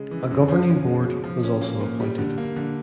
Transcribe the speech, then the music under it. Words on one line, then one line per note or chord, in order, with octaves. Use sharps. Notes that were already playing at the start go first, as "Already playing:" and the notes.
A Governing Board was also appointed.
Already playing: C#3 G#3
E3
F#2
F3
C#4
G#3
C#3
F3
C#4
A#3
A#2
G3
D3
A#3
D3